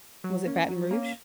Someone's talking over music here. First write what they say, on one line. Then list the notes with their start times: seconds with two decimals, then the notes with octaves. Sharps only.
Was it Baton Rouge?
0.24 F#3
0.46 A#3 C#4
0.68 F#3
0.91 A#3 C#4